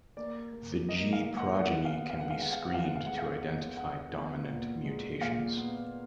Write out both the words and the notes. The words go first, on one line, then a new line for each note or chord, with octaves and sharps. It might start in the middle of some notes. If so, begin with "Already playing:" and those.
The G progeny can be screened to identify dominant mutations.
A#3 D5
A#3
A#3 D#5
F5
A#3
F#5
B3 F#5
F5
B3
F5
F#5
G#3 F5
F#5
F5
F#5
B3
F5
F#5
F5
G#3 F#5
F5
B3
D3 F#5
B3
A#2
G#3
A#2 F5
B3